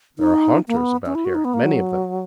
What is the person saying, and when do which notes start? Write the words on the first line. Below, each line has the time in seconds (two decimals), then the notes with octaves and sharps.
There are haunters about here,--many of them.
0.19 D#4
0.68 A#3
0.77 B3
1.06 C#4
1.15 E4
1.25 F#4
1.35 D#4
1.45 B3
1.54 A#3
1.64 F#3